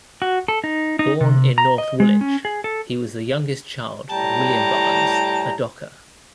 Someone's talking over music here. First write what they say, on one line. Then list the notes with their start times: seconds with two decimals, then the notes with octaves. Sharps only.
Born in North Woolwich, he was the youngest child of William Barnes, a docker.
0.22 F#4
0.48 A4
0.64 D#4
0.99 D#4
1.21 C3
1.58 A#5
1.78 D#5
2.00 G#3
2.21 C#4
2.45 G#4
2.64 A4
4.10 A2 G3 G5 A5 A#5